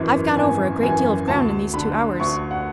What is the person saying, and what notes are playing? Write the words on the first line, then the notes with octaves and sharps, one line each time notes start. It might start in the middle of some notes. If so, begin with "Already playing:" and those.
I've got over a great deal of ground in these two hours.
Already playing: G#1 F#2 E3
G#1 G#5
F#2 E3 G#5
D2 A5
D3 B5
D2 C#6
F#5